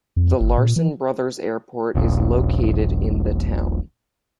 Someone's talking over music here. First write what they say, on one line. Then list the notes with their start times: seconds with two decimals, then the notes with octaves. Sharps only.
The Larson Brothers Airport is located in the town.
0.16 F2
0.40 G1
0.58 A#2
0.76 E3
1.95 D#1 A#1